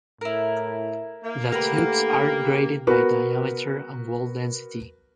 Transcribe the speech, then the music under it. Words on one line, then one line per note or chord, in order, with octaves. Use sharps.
The tubes are graded by diameter and wall density.
A2 E4 A#4
A#3
D3 A3 G4 A#4 B4
B3 F#4 A#4 B4